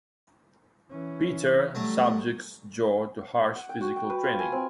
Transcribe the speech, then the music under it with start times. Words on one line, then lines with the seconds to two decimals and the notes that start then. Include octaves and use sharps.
Peter subjects Joe to harsh physical training.
0.91 E3 C#4
1.75 F#3 G3 A3
3.56 F#5
3.69 G5
3.81 F#4
3.96 G5
4.10 B4
4.24 F4
4.39 G#5
4.52 C4